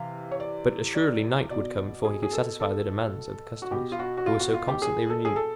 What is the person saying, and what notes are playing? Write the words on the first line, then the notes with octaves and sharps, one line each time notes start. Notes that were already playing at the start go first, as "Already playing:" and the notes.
But assuredly night would come before he could satisfy the demands of the customers, who were so constantly renewed.
Already playing: C3 E3 F5
C#5
D5
D5
B2 D5
G#4
G#4
A4
A4
F#4
B2 G4
F4
F#4
F#4
F4
F#4
F4
G4
G#4
A4
G#4
A4